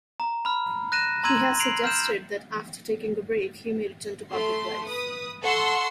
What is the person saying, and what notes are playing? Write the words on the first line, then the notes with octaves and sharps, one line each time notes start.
He has suggested that after taking a break, he may return to public life.
A#5
B5 F6
F#6 A#6 D#7 E7
A#5 C6 E6 G#6 D#7 F#7
C7 D7 F7 F#7
F6 G6 E7
A3 C6
B4 D#6
A4 F#5 C6 C#6 E6